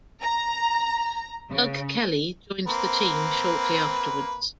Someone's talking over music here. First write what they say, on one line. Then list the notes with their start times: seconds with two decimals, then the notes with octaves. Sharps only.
Doug Kelly joined the team shortly afterwards.
0.22 A#5
1.50 C#3
2.67 A#3 C4 B4